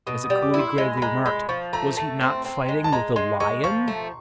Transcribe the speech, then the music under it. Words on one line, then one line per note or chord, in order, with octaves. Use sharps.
As a coolie gravely remarked, "Was he not fighting with a lion?"
B2 D#6
D#6
G3
D6
E4
C6
G#3 B5
B5
G#3 A#5
G#3 B5
F3 C#6
A3 A#5
A3 A5
C4
C4
G#3
A5
G#3 A#5
G#3 C6
G#3 C#6
F3 C#6
A3